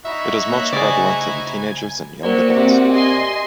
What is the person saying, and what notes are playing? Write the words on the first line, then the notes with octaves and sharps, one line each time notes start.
It is most prevalent in teenagers and young adults.
D#4 E4 F#4 E5
A#3 C#5 F#6
C#3 A3 G#4 C5 D5 G#5
A#3 F#4 G4 A#4 C5 D5
C3
G4 D#5 G#5 C6